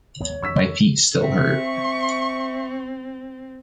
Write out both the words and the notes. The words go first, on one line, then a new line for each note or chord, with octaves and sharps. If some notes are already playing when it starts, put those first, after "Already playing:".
My feet still hurt.
G#1 D#2 B3 C#5
F2 D#3 G#3 C#6 E6 B6
C4 E5 C#6